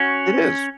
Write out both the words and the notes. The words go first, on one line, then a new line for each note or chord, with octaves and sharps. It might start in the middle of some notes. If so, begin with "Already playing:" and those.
It is.
Already playing: C#4 F#4